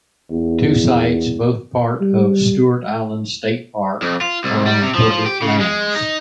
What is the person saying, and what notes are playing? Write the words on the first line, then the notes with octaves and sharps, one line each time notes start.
Two sites, both part of Stuart Island State Park, are on public lands.
E2
G3
F2
F4
C2
G3
C3
F3
F3
G4
C#3
G#3
D#4